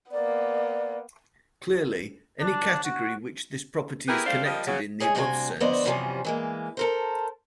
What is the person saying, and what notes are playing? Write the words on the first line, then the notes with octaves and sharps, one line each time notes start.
Clearly, any category which this property is connected in the above sense.
A#3 B3 D5
D4
F#4
B3 E4 G4 G#4 A#4 B4
G3 A3 D4 C5 F5
F3 G3 A#3 G4 D#5
C#3 F#3
G#4 C#5 D#5 F5 G#5
D2 G2 C3 F#4 G5 G#5
D3 F3 B3 C5 D5 D#5
F#2 C3 E3 F3 G3 C#4
E3 G#3 A#3
A4 A#4 C5